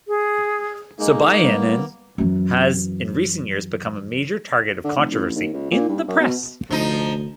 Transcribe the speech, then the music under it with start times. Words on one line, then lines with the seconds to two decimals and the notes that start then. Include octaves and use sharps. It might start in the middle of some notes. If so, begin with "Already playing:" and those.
Sobyanin has in recent years become a major target of controversy in the press.
0.08 G#4
0.99 G#3 A#3 D#4
1.44 G3 B3
2.18 F#2 E3
4.84 D3
4.97 F1
5.11 A1
5.36 D#2
5.53 C#2
5.71 A#2
5.88 G2
6.08 F#2
6.19 B2
6.71 F1 D2 F3 D#4